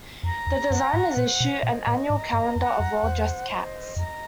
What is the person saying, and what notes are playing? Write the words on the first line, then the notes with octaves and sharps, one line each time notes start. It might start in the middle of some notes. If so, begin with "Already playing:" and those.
The designers issue an annual calendar of well dressed cats.
F2 A#5
E2
F#2 F#5
G#2
A#2 C5
B2
A#2 D#5
A2
G#2 A#5
G2
F2 F#5
F2
E2 C5
D#5
F2 A#5